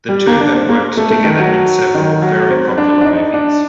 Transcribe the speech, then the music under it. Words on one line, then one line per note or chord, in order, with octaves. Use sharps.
The two have worked together in several very popular movies.
G3
A#3
D4
C4
A#3
A3
A3
D#3
F#3
D#3
F#3
C4
D4
D4
D#4
D4